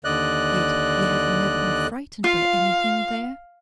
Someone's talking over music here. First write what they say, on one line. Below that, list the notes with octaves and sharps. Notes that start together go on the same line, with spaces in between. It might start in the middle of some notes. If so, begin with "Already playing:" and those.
"Yet you have never been frightened by anything there?"
D#2 D3 D5 D#5 F#6
F4 F5